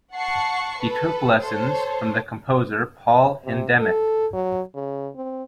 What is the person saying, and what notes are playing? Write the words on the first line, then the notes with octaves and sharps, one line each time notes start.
He took lessons from the composer Paul Hindemith.
F#5 A5 C#6 C7
A4 B4
A4 C5 C#5
C3
A4
F#3
C#3
C4